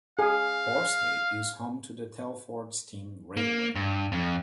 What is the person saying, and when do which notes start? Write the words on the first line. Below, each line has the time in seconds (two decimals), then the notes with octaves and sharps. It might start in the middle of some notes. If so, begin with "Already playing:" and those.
Horsehay is home to the Telford Steam Railway.
0.19 G#4 F5
3.37 A#3
3.75 G2
4.12 F2